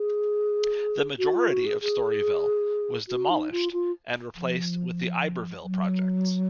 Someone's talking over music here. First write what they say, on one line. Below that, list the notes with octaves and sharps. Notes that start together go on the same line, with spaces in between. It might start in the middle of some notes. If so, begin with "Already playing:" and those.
The majority of Storyville was demolished and replaced with the Iberville Projects.
Already playing: G#4
F#4
F4
F#4
G#4
G#4
F#4
D#4
F4
F4
F3
F#3